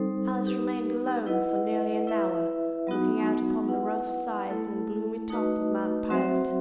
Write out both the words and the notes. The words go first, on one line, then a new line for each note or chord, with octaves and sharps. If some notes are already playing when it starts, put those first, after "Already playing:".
Alice remained alone for nearly an hour, looking out upon the rough sides and gloomy top of Mount Pilate.
Already playing: G3 C4 D#4 A4 C5
D#4 G4 B4
E4 B4 D#5 F#5
E4 B4 E5
F#3 B3 D#4 F#4
E4 B4 F#5
A3 E4 A4
A3 D#4 F#4 B4 D#5
F#3 C4 F#4 C5 E5